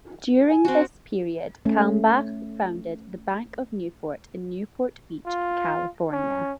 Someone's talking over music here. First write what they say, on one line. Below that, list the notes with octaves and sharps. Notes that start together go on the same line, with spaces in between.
During this period Kalmbach founded the Bank of Newport, in Newport Beach, California.
G#5
C4 F#4
A3 C#4
F4
C#4